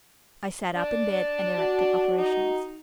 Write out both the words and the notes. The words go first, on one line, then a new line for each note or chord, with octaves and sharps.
I sat up in bed and directed operations.
D4 A5
F#4
D#4